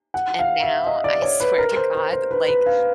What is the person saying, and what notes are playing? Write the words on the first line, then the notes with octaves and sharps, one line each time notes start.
and now, I, swear to God, like,
F#5
F5
E5
D#5
D5
C#5
B4
A#4
C5
C5
C5
B4
B4
F5